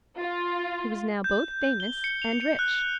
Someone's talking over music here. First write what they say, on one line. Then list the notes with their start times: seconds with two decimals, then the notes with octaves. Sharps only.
He was now both famous and rich.
0.17 F4
1.24 G6
1.80 G7
2.04 C#7
2.22 F7
2.59 F#6